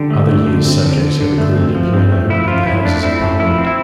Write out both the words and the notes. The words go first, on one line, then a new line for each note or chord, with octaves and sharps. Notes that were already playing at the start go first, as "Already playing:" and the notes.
Other years' subjects have included a piano and the Houses of Parliament.
Already playing: D3 G4
A3
A3
D3
C4
D3
D3
D3
A3
C4
F3
C4
A3
F3 E4
F3 F4
F3 E4
A3 D4
C4 E4
A3
F3 E4
C4
E4